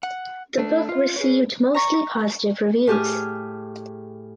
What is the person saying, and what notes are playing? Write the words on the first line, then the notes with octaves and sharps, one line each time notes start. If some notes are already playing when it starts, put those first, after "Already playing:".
The book received mostly positive reviews.
F#5
A3 D4
F4
G#4 B4 C#5
A#5 C#6
A2 G4 G#4 F6